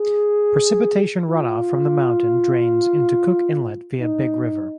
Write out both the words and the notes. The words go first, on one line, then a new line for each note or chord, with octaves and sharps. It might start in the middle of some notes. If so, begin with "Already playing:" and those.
Precipitation runoff from the mountain drains into Cook Inlet via Big River.
Already playing: G#4
F4
D#4